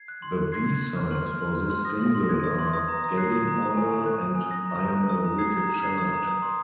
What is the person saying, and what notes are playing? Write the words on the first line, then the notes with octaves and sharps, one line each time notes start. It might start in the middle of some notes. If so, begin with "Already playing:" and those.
The B-sides for this single are "Gagging Order" and "I Am a Wicked Child".
Already playing: G#6 C7
F#6
C6
F#6
C6 G#6 C7
F#6
C6
F6
C6
F6
C6
F6
C6
D#6 A#6
C6
C6
A#6
F#6 G#6
D#6
C6 G#6
D#6 A#6
A#5
A#5
F#6 G#6 C7
D#6
A#5
D#6
G#5
G#5
F#6
D#6
G#5
D#6 A#6
A#5
A#5
F#6
D#6
A#5
D#6 G#6 C7
A#5
A#5
F#6 G#6 C7
D#6
A#5
D#6
C6